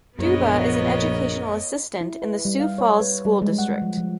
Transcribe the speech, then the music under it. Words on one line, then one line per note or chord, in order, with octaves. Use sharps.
Duba is an Educational Assistant in the Sioux Falls School District.
A#1 F#2 B3 A#4 C#5 D#5
E4
B4
G3
F5
C#5
B4
G3
G#3
F#5
F3
F3